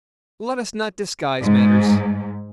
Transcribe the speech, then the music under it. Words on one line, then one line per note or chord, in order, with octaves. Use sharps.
Let us not disguise matters.
G#2